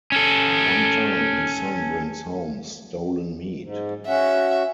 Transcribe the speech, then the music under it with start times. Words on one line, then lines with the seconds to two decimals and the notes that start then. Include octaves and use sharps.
One time, his son brings home stolen meat.
0.12 C#4 A4
3.61 G#2
4.06 C#4 F#4 E5